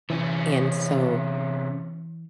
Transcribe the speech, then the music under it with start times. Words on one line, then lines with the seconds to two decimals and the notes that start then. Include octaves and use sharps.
And so,
0.10 C3 E3 C#4